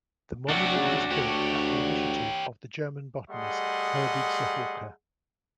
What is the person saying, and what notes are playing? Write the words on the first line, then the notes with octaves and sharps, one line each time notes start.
The monument was built at the initiative of the German Botanist, Herwig Zahorka.
C3 F#3 D4 F#4
C#3
D2 G4 C#5
G3 A3 G#4 D#5 F#5 C6